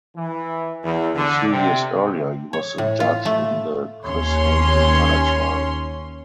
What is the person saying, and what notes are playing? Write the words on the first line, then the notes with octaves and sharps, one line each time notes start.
A few years earlier he was the judge in the Chris Hani murder trial.
E3
E2
D3
C3
C#5
A2
F4
A3
D#2 C#4 C#5 C6